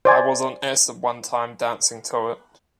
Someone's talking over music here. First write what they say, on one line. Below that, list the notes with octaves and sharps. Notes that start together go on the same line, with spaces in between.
I was on acid one time dancing to it.
C5 D5 G#5